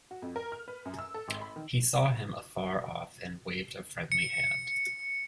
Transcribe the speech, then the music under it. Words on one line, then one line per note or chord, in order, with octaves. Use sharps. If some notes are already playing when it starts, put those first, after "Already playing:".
He saw him afar off and waved a friendly hand.
F#4
F2
A#4
F6
B4
F#2
E6
A4
G#1
B5
D#3
C#7